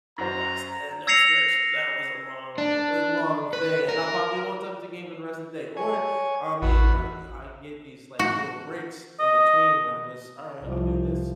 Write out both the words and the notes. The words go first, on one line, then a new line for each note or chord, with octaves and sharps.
I gotta stand up stretch. That was a long a long thing." and I probably won't touch the game for the rest of the day, or, I mean, uh, I can get these, like, little breaks in between where I just, "Alright, I'll do this
F#2 F#4 C5 A#5
E6 G#6 A#6 C7 C#7 F7
D4
B4
A#4
C#5 G#5
A1 E2 F#4 B5
F#4
D#5
C2 F3